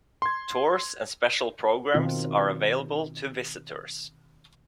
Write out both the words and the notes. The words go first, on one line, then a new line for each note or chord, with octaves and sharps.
Tours and special programs are available to visitors.
C6 G#6
B2 D#3 C4 D#4 F4